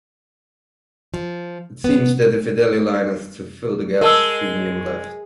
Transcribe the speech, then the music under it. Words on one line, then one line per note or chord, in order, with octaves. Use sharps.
It seems that the Fidelio line is to fill the gap streamium left.
F3
B3
G#3 A#4 A5 E6